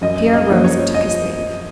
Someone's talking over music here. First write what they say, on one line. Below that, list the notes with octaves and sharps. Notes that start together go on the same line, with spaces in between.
Pierre rose and took his leave.
F#2 D#5
D#5
F3 A#3
C#5
D#5